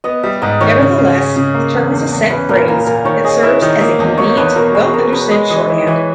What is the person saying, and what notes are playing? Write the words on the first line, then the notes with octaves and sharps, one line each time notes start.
Nevertheless, the term is a set phrase that serves as a convenient, well-understood shorthand.
B3 D#5
G3 E5
G#2 D#5
D#3 C#5
C#3
C#3
C#4
C#3
A#3
E2
E2
E2
C#4 B4
A#2 A#4
A#2 A#4
A#2 A#4
D#3 C#5
G#4 D#5
E4 E5
D#3 D#5
A#3 E5
E2 D#5
A#3 C#5
E2 B4
B2 A#4
B2 G#4
B2 A#4
B2 B4
G#3 D#5
E3 D#5
E4 C#5
E3 E5